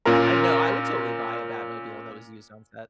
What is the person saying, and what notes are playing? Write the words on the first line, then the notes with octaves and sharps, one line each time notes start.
I know. I would totally buy a Batmobile that was used on set.
A#2 C#4 F4 A#4 A#5